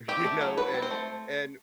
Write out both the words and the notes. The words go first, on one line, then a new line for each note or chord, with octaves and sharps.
you know, and and
C4 G4
A3
F#3
F#3 B4
C4
C5
A3